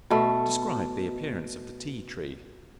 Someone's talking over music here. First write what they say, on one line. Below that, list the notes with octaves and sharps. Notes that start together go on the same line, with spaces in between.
Describe the appearance of the Tea-tree.
B2 A3